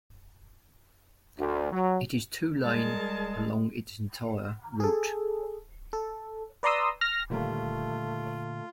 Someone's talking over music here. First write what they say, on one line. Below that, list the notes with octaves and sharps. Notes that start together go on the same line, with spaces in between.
It is two-lane along its entire route.
D2
F#3
G3 G#3 G#4 A#4 A5
G#4 A4
A4
B4 D5 A#5 C6 D#6 E6
F6 A#6
D#2 A#2 D3 G3 A3 A#3 F4